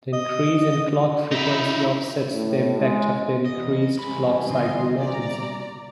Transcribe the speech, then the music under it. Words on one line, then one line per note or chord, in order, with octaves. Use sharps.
The increase in clock frequency offsets the impact of the increased clock cycle latency.
D#5
D#4 E4
A2
G#3
E2 D#5
C2 G#2 E3 C4 G#5 B5
B2 D3 D#5 C6
D5 A#5